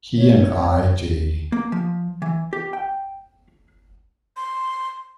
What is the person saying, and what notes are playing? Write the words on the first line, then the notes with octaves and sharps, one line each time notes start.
He and I. J.
C#5
A#3
F3
E3
G4
G5
C6